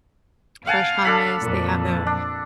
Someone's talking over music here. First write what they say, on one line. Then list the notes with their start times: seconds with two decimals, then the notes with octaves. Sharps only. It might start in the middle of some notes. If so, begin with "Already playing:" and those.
Fresh hummus, they have the
0.67 F5 F#5 G#5 A5
1.05 D4 A4 B5
1.40 F2 A#2
2.07 D4